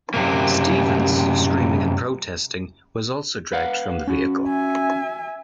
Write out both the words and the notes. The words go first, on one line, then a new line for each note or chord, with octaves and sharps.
Stephens, screaming and protesting, was also dragged from the vehicle.
F#2 C3 A#3
B4 F5 F#5
C#4 F#4
E5 G#5